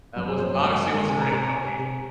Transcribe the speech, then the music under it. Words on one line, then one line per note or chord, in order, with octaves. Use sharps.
That wasn't obviously wasn't real cocaine.
F#2
G#4
F#2 C5
C#5
G#2 D#5
G#2 G#5
C3 G#5
A#5
C3 A#5
A#5
C3 G#5
C3